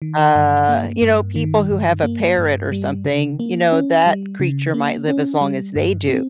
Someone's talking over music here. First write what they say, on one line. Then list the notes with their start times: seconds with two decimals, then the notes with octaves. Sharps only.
Uh, you know, people who have a parrot or something, you know, that creature might live as long as they do,
0.02 D#3
0.35 G2
0.69 A#3
1.02 G2
1.36 D#3
1.70 G2
2.03 A#3
2.38 G2
2.72 G3
3.05 C#3
3.39 A#3
3.72 C#4
4.06 G3
4.40 C#3
4.74 A#3
5.08 C#4
5.41 G3
5.75 G2
6.09 C4